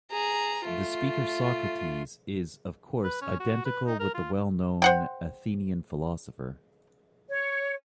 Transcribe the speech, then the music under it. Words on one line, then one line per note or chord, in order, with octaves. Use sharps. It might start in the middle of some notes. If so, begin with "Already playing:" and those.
The speaker Socrates is, of course, identical with the well-known Athenian philosopher.
G#4 A#5
A3 F4
B4
C#4
F#4
B4
D#4
A#4
F4
C5 F#5 G5
C#5